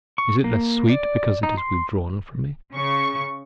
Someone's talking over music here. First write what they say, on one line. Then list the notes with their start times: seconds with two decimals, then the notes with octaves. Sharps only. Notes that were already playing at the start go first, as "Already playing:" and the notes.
Is it less sweet because it is withdrawn from me?
0.18 C#6
0.44 A#3
0.89 D5
1.43 D#4
1.57 C6
2.73 C#3 C#6